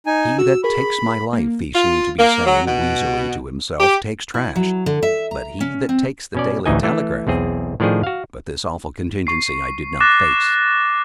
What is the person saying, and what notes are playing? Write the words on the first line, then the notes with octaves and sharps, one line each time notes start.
"He that takes my life," he seemed to be saying, wheezily, to himself, "takes trash: But he that takes the Daily Telegraph--!" But this awful contingency I did not face.
D#4 G#5
F#4 E6
G#4 A#4 B5 C#6
A#3
F4
A#3
F#3
B2
G4
E4
F#3
D3
E5
A#5
C#4
C4
B2 C#4 D5
A1 D2 E3 D#4 D#5 G#5
E3 A3
B1 E2 C4 G#4
A2 D#3 F3 D4 G#4
F#4 F5
C#6 C7
D6 F#6 A6 A#6 E7